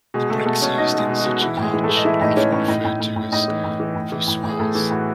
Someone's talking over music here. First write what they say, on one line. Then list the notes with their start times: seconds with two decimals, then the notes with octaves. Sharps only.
The bricks used in such an arch are often referred to as 'voussoirs'.
0.14 B2 G#3 G#4
0.30 B2 A3 A4
0.46 B2 A3 A4
0.62 B2 C#4 C#5
0.77 B2 D#4 D#5
0.94 B2 G#3 G#4
1.09 B2
1.20 F#4
1.26 B2
1.42 E3 E4
1.57 A2
1.62 G#3 G#4
1.74 E3
1.84 A3 A4
1.89 E3
1.97 D#5
2.05 E3 E4 E5
2.21 A2 D#4 D#5
2.37 E3 C#4 C#5
2.52 A2 C#4 C#5
2.68 A2 D#4 D#5
2.85 A2
3.00 A2
3.16 A2
3.32 A2 D#4 D#5
3.48 E3
3.64 A2
3.80 E3
3.95 A2
4.12 E3
4.28 A2
4.44 A2
4.49 G#4
4.59 A2 A3 A4
4.75 E3
4.90 A2 F#4